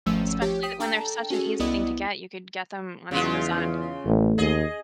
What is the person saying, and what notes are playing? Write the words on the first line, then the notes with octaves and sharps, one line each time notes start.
Especially that when they're such an easy thing to get, you could get them on Amazon.
G#1 F3 A3 C#4 E6
F3 G4 C#5
G5 D#6 B6 D#7
D4 A4 G5 A5 A#5
C#4 F#4 G#4 A4
C2 B3 E4 D5 D#5 D#6
E2 C#3 G#3 F4
A1 A3
D#2 G#4 D#5